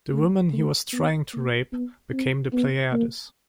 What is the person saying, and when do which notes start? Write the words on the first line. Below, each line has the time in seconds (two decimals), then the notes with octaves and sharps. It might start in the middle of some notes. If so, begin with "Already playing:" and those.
The women he was trying to rape became the Pleiades.
0.13 A3
0.53 A3
0.93 B3
1.33 A#3
1.73 B3
2.13 C4
2.53 B3
2.92 A#3